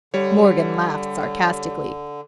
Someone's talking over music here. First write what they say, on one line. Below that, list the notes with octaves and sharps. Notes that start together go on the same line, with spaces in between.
Morgan laughed sarcastically.
D3 G3 C#5